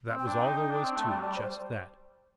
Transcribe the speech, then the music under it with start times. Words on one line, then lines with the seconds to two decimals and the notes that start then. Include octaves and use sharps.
That was all there was to it--just that!
0.10 C4
0.19 G5
0.27 D4
0.44 D#4
0.57 D#4
0.71 D4
0.84 C4
0.96 A3 A5
1.09 G3 G5
1.18 F#3
1.22 G3 D5
1.36 G3 C5